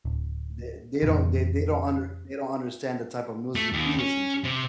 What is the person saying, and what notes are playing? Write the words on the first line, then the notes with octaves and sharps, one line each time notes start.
th they don't they they don't under they don't understand the type of music we listen to.
D1
F2 A#2 C#3 E3
A3
D#2
C#4
C3